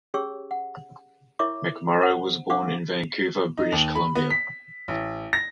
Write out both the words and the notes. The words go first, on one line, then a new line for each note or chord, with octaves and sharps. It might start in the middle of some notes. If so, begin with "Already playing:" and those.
McMorrow was born in Vancouver, British Columbia.
C#4 G4 G#4 C#5 C#6 E6
F#5
E4 A#4 C#5 E5 C#6 D6
C5 F#5
D4 C5 F5 F#5 C#6 D6
D#4
D#2
B5
B3
B6
A1
A#6